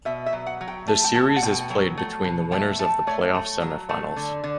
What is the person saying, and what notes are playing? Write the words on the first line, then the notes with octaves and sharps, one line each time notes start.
The series is played between the winners of the playoff semifinals.
B2 E5
E5
F#3
F#5
F#3
G5
A3 A5
G5
A3 A5
F#5
B2 G5
F#3
A3
B2
A3 G5
A3 A5
A3 C#5
A3
F#3
A3
D3
D3